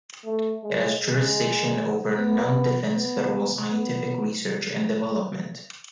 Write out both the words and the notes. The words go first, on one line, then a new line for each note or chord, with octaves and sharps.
It has jurisdiction over non-defense federal scientific research and development.
A3
G#3
G#3
B3
B3
B3